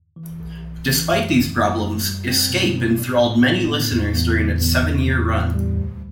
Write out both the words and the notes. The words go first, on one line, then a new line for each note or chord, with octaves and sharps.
Despite these problems, "Escape" enthralled many listeners during its seven-year run.
E3
B1
B1
E3
F#2
A3
F#2
F#2
G3
C4
B2
B2
A2
A2
B3
A2
E2
E2
D3
E2
E3
A2
A2
G3
D2